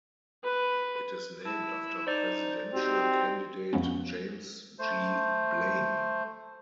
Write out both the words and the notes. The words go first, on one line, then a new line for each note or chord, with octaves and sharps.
It is named after presidential candidate James G. Blaine.
B4
E4 A5
D#4 C5 D5
C4 D#4 F#4 G4 G5
F2 F3 G#3 B3 C#4
A3 C5